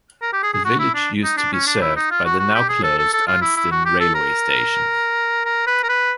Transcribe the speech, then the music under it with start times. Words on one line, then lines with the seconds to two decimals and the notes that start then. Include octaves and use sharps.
The village used to be served by the now-closed Unstone railway station.
0.22 A#4
0.33 G4
0.43 G#4
0.54 G#4
0.65 F#4
0.80 E4
0.94 D4
1.23 D#4
1.37 D4
1.53 C#4
1.67 D4
1.82 E4
1.96 D#4
2.11 F4
2.25 F#4
2.39 F#4
2.55 G4
2.69 G#4
2.83 A4
2.98 A4
3.13 A4
3.27 F4
3.41 E4
3.56 E4
3.71 F#4
3.86 G4
4.00 A4
4.15 A#4
5.45 A#4
5.67 B4
5.83 A#4
5.89 B4